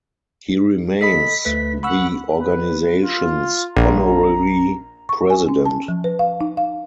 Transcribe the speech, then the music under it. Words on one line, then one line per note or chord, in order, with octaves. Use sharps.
He remains the organization's honorary president.
A4 D#5 B5 B6
D2 A3 B4 B6
F#5 B5 C#6 E6
B4
F4
A#1 A#5
C#6
G#5
C#4
A5
F3
B4
F5
D#4
F5